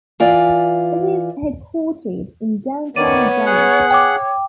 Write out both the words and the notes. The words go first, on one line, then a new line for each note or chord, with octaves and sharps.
It is headquartered in Downtown Dallas.
E3 F4 D5
D#3 B3 C#5 D5 D#7
G#4 F#5
C#5 G5 D6